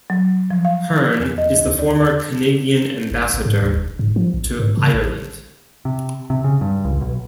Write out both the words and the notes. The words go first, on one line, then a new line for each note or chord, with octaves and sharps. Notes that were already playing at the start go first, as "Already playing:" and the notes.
Hearn is the former Canadian Ambassador to Ireland.
F#3
F3
F5
D#3
E2
D#5
D2
D5
D5
G1
G#1
G#2
D#2
F1
G#2
F3
A#1
G#2
C#3
A1
C3
C3
C#3
G2
C#2
B1